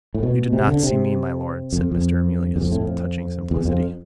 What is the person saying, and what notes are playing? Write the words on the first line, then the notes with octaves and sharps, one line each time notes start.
"You did not see me, my lord," said Mr. Emilius with touching simplicity.
A2
B2
C3
D3
C3
F2
F2
E2
F2
A2
F2
E2
F2